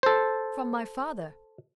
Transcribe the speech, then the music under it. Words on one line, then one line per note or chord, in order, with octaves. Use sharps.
"From my father?"
A4 C5